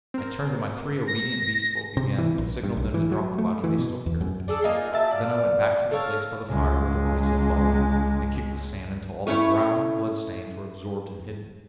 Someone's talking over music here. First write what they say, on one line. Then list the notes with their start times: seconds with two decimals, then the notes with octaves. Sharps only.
I turned to my three obedient Beast Folk again and signalled them to drop the body they still carried. Then I went back to the place by the fire where the bodies had fallen and kicked the sand until all the brown blood-stains were absorbed and hidden.
0.14 C4 A#4
1.07 A#6
1.97 C3
2.18 E3
2.38 A#1
2.63 G2
2.77 B1
2.94 E3
3.12 F#3
3.38 A3
3.64 E3
3.79 B2
4.06 E2
4.21 F#2
4.48 D4 G#4 A4
4.64 A#3 D#4 F4 G#5
4.92 F#3 E5 A5
5.11 D5 F5
5.91 A4 A#4 C#5 F5
6.49 C#2 G#3
9.27 A3 C#4 E4 C#5